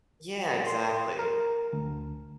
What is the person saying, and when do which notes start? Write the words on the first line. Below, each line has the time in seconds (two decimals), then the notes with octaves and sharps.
Yeah. Exactly.
0.67 C6
1.19 A#4
1.73 D2